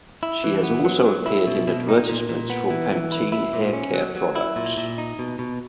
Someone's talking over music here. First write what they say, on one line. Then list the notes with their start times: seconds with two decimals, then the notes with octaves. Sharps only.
She has also appeared in advertisements for Pantene hair-care products.
0.23 E4
0.44 E3
0.63 B3
0.85 F#3
1.05 F#3
1.26 E4
1.47 B2
1.67 B2
1.88 D#4
2.09 A#2
2.29 A#2
2.50 B3
2.70 E3
2.91 E3
3.12 E4
3.32 E4
3.53 A#2
3.73 C#4
3.94 F#3
4.15 F#3
4.36 E4
4.56 A#2
4.77 A#2
4.98 D#4
5.19 B2
5.39 B2